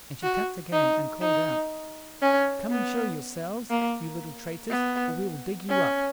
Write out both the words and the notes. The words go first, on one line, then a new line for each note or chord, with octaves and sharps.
And she tapped again, and called out, "Come and show yourselves, you little traitors, or we will dig you up!"
F#4
D#4
D#4
C#4
B3
A#3
B3
C#4